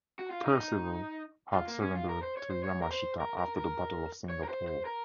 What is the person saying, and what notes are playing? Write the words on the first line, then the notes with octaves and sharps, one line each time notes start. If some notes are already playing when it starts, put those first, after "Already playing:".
Percival had surrendered to Yamashita after the Battle of Singapore.
F#4
F4
D#4
F4
A#3
C#4
F4
A#4
C5
C#5
C5
C#5
A#4
C5
A#4
A#4
A#4
C#5
A#4
C5
C5
A#4